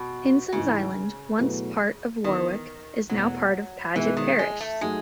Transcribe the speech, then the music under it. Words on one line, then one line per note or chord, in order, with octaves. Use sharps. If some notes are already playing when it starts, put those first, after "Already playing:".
Hinson's Island, once part of Warwick, is now part of Paget Parish.
Already playing: B2
G#2 C#3 E3 G#3
B2 F#3 A3 E4 B4
D#3 E3 B3 E4 B4
E2 B2 F#3 A3
B2 E3 G#3 D#4 G#4 B4
D#3
G#3
A3
F#3 G#3 A3 D#4 G#4